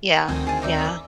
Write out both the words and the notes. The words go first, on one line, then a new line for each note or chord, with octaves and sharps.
Yeah, yeah.
B3
D2 D#3 C4 G#5
G#4 A5
D#4 D5 E5